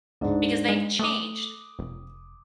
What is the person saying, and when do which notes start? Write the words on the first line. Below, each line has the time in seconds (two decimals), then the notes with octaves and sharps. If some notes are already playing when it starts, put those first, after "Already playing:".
because they've changed
0.21 D1 G#2 D4
0.69 G#3
0.99 A3 D6 D#6
1.79 F1